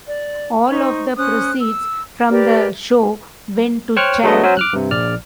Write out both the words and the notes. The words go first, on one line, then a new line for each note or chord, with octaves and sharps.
All of the proceeds from the show went to charity.
D5
D#4 C5 C#6
C#4 C5 D#6 F#6
E6
G4 A#4 B4 D5
C5 C#5 G5 C#6 F6 F#6
F#3 G#3 A3 B3 D4 D#5
F#3 C#4 F#4 C5
D6 F6 F#6
G2 C3
A#1 D5 F6